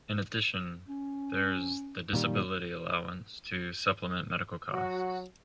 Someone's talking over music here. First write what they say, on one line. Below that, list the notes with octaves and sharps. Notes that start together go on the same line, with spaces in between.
In addition, there is the Disability Allowance, to supplement medical costs.
C#4
A#2 D#3 G3
F#3 F#4